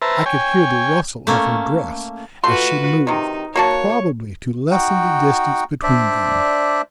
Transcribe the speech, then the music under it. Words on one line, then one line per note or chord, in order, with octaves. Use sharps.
I could hear the rustle of her dress as she moved, probably to lessen the distance between them.
B4 C5 E5 A5 A#5
C#5 G5 G#5
A3 A#3 C#4
A3 F4 F#4 B4 C6
C3 D#3 D#4
A#3 F#4 C#5 A5
D#4 F#4 F#5 G5
D4 C5 D5 E5